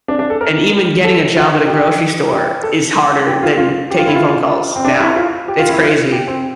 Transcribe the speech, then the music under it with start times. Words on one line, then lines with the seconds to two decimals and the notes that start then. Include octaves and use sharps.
And even getting a job at a grocery store is harder than taking phone calls now. It's crazy.
0.08 D4
0.19 D4
0.30 A4
0.41 A#4
1.04 A4
1.37 F4
1.67 G4
2.31 G4
2.63 A4
3.27 G4
3.43 F4
3.57 F4
3.90 G4
3.99 F4
4.07 E4
4.15 F4
4.76 C4
4.85 D4
5.00 E4
5.16 F4
5.48 G4
5.59 F4
5.69 E4
5.79 F4
6.12 G4
6.28 C4